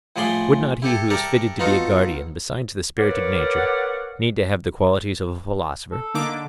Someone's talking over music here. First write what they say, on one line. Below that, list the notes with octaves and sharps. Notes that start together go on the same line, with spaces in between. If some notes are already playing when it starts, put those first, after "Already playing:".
Would not he who is fitted to be a guardian, besides the spirited nature, need to have the qualities of a philosopher?
A2 F3 G#4 D5 B5 C6
E4 G4 A4
G4 A4 A#4 D5 E5
B3 D#4 F4 F#4 A4
A#4 B4 C#5 D5 F5 F#5
A4
D3 A#3 D#4 D6